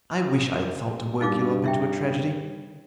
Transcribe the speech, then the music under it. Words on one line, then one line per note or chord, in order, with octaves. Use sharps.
"I wish I had thought to work you up into a tragedy."
D#6
G2 D#4 F5 D6
E4 E5 G5